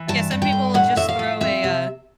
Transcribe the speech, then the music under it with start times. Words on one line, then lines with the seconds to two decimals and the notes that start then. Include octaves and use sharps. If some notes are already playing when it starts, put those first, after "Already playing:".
Yeah, some people just throw a, uh,
Already playing: E3
0.08 G2 A5
0.31 G2
0.42 G5
0.52 D3
0.74 A2 F#5
0.96 A2 E5
1.09 F5
1.19 F3
1.41 C4 E5
1.64 C3